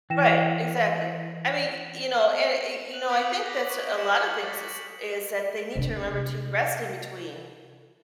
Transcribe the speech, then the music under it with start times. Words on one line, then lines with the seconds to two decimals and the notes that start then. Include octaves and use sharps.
Right, exactly. I mean, y you know, and, y you know, I think that's a lotta things is is that they need to remember to rest in between,
0.10 E3 G5 A#6 E7
2.90 F#6 D#7 F7 F#7
3.08 D6 D#6 G6 B6 D7
3.43 A#6
3.70 C#6
3.98 C#7 E7 F#7
4.43 A6 B6
5.75 C3 D4